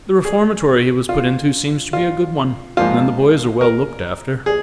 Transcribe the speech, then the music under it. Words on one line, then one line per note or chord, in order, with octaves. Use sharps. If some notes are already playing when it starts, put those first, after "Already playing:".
The reformatory he was put into seems to be a good one, and the boys are well looked after.
G#4
F4
F4
G#2 F3 A#3 F4
A#4
G#4